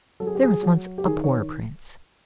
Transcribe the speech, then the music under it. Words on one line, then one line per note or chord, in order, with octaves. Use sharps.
There was once a poor Prince.
F#3 A4
G#4
G4
G#4
F#3
G4
D#3 G#4
C#5